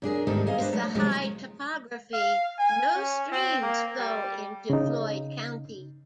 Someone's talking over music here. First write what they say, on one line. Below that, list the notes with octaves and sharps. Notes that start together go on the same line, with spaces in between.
With the high topography, no streams flow into Floyd County.
F#2 D4 G#4 A#4
D2 G#2 D#3 G3 D#4 A4
G#4 D#5 F5
D4 B4 C5
F#3 A3
D#2 C3 F3 F#3 G#3
F5
G#5
C#4
C4
A#3
G3
C#3 D#4